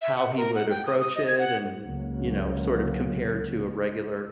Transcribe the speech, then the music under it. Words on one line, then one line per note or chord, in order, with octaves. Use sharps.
how he would approach it and, you know, sort of compared to a regular
E5
F#5
A#4
F#5
G5
D#6
D#6
D#5
G#6
F#5
C#2 C#3 F#3 A#3